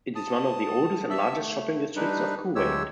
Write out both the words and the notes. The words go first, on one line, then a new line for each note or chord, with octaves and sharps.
It is one of the oldest and largest shopping districts of Kuwait.
A5 D#6
E5 A5 E6
A3
G3 D4 D#4 B4
D2 F#3 G#3 G4 C#5 E6